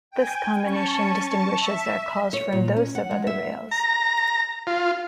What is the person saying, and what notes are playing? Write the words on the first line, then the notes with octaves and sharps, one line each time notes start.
This combination distinguishes their calls from those of other whales.
G5 G#5
C#4 A5 C#6
E5
C#5
A#2
C#4
F#5
G#3
E5
A#5
F4